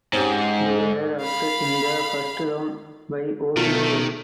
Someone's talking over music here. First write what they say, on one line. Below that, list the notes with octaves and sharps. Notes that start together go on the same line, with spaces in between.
They were upset in the First Round by Ohio.
G#2 C4 C#4 G4
F5 B5
B2 D#3 F#3 A3 F4 A#4